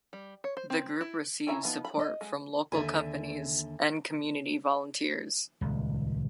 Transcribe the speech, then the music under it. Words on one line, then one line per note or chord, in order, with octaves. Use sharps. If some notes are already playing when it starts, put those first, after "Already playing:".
The group receives support from local companies and community volunteers.
G3
C#5
C5
C4
E4
C4 C#4 E4 E5 A#5
F3 B3 D#4
B5
D#5
G#3
D#2 D3 E5 G#5
D#1 C#2